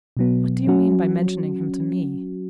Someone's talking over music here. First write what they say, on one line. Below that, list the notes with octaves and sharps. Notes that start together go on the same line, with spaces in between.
"What do you mean by mentioning him to me?"
B2 F#3 B3
F#3 C#4 F#4